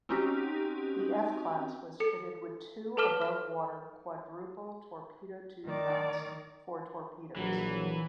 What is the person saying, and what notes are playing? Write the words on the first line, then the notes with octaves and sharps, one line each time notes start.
The F class was fitted with two above-water quadruple torpedo tube mounts for torpedoes.
C4 C#4 D#4 F#4 G4
A4 C#7
A4 B4 A5 D6 F6 E7
F6
D#3 D5
A#1 E3 F#3